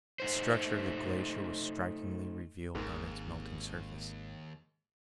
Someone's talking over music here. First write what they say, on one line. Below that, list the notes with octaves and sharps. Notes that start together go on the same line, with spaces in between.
The structure of the glacier was strikingly revealed on its melting surface.
A3 D#4 C5
G#1 D#2 G#2 D#3